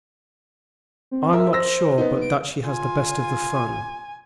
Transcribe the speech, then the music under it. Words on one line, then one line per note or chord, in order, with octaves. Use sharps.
I'm not sure but that she has the best of the fun.
C4
A#4 E5
C5 E6 A#6
B3 D#4
D7
F4 G#5